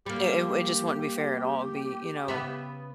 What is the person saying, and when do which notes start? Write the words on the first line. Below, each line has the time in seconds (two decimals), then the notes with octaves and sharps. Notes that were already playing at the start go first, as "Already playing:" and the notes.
It it w it just wouldn't be fair at all. It'd be, you know,
0.06 G3 A#3 G4
2.28 C#3 B3 E5